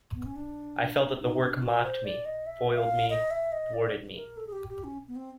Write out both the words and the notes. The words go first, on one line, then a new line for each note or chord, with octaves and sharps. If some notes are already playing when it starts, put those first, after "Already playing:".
I felt that the work mocked me, foiled me, thwarted me.
B3
C#4
D4
D#4
D4
F#4
C5
D5
D#5
E5
F5
D#5
E5
D#5
D5
A#4
A4
G#4
G4
G4
C#4
B3
C4